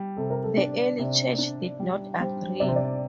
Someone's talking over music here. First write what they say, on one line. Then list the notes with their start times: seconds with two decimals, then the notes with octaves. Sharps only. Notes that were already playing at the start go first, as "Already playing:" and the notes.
The early Church did not agree.
Already playing: G3
0.17 C3 A4
0.30 A#4
0.44 A4
0.57 D4 D5
0.99 C3
1.39 D4
1.80 G3
2.19 G3 C5
2.60 C3 D5
2.68 C5
2.76 D5